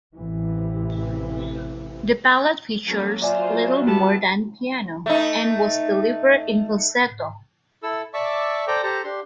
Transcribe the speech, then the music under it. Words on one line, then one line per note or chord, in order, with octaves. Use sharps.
The ballad features little more than piano, and was delivered in falsetto.
A1 C3 E3
F#3 A#3 C#4 A4
F4 C5 D5 E5 G#5
G3 B3 E4 F#4 A5
A3 D#4
E4 A4 E6
D5 E5 A5 C#6 D6 E6
A4 C5 D5 G5 A#5 D6
G4 A4 C5 A5 A#5
D4 G4 C6